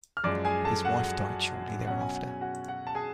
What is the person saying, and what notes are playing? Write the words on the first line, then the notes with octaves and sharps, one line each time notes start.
His wife died shortly thereafter.
F6
F#2 F3 G#3 D5 D6
G#4 G#5
A4 A5
F#4 F#5
B2 F#3 C#4 F#5
G#5
F#5
G#5
F#4 F#5
F#4 F#5
A5
G#4 G#5